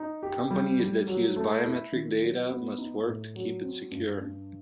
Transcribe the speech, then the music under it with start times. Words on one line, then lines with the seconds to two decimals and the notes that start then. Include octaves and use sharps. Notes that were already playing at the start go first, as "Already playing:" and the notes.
Companies that use biometric data must work to keep it secure.
Already playing: D#4
0.23 G4
0.51 G3
0.80 G3
1.07 F#3
1.36 A3
1.65 E4
1.92 D#3
2.21 F#3
2.49 B3
2.78 D#4
3.06 A2
3.36 F#3
3.64 C4
3.91 G2
4.21 G2